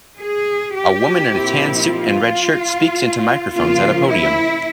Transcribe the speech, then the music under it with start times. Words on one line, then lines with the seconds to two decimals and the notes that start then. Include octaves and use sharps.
A woman in a tan suit and red shirt speaks into microphones at a podium.
0.18 G#4
0.74 G4
1.30 A#2 F3 C4 E4
1.85 F4
3.53 C#3 F3 A#3 F4
4.09 E4